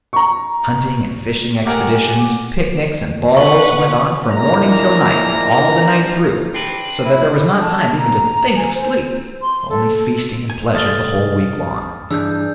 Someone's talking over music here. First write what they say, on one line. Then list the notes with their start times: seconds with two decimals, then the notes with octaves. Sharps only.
Hunting and fishing expeditions, picnics and balls went on from morning till night, and all the night through, so that there was not time even to think of sleep, only feasting and pleasure the whole week long.
0.13 A#5 C#6
1.66 A3 G4 A#4 F#5 G#5 D6
3.37 B4 F#5 C#6
4.29 A#1 G#3 A#3 D4 E4 A#5
6.54 C4 D4 B4
7.05 E4
7.59 A5
7.98 A#5
8.56 G#5
8.74 C5
9.42 C6
9.70 A4
10.50 G#5
10.75 C2 G#3 A4 D#6 F6 A6
12.11 G2 E3 D4 G#4 E6 G6